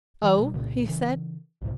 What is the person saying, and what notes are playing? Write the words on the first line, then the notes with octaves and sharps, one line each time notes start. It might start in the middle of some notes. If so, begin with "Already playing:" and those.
"Oh!" he said.
E3
B2 G3
C2 A#2 C#3
C#3 E3
B1 G#2 C3